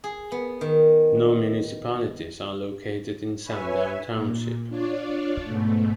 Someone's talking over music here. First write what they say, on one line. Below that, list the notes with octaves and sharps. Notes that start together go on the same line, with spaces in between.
No municipalities are located in Sundown Township.
G#4
B3
D#3
B4 C#5 E5 G#5
A#2
D4 F4 C#5 D5
G#2 B2 A3